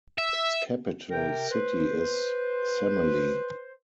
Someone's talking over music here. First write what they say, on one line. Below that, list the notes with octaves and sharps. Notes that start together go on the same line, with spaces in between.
Its capital city is Semily.
E5
C3 A#4 G5
B4 C5